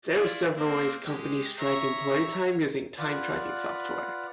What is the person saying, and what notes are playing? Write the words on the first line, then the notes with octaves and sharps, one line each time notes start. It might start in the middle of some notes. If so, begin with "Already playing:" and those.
There are several ways companies track employee time using time tracking software.
E4 F4 D5
A#3 C4
G#3 G4
C#5 E5 A#5
F4 B4 D5 F#5